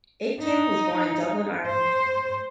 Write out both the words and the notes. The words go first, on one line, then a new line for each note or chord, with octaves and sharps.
Aitken was born in Dublin, Ireland.
D#4
C5